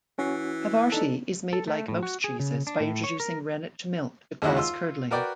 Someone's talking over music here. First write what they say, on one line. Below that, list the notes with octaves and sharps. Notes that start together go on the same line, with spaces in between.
Havarti is made like most cheeses, by introducing rennet to milk to cause curdling.
E3 C#4 F#4
D4 D#4 A4
A4
A3
A2
F#4
G#4
C#3
D4
A2
C#5
A#4
D#2 G#3 D#4 E4 F#4 G#4
F4 C6 E6
F#4 A#4 B4 D5 G5